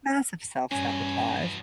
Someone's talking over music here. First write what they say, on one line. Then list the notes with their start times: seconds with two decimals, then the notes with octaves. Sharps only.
massive self-sabotage.
0.71 E2 G2 B2 C#4 G#5